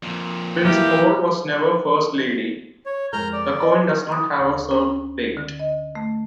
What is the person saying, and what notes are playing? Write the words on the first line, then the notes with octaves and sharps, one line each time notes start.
Since Paul was never First Lady, the coin does not have a served date.
F2 A#2
E3 E4 G4 A#4 F5
C#5
F2 G#3 A#4 A#5 F6 G6
D5
E2 D#5 G#5
D#6
D2
C#4
D3
D#5
A3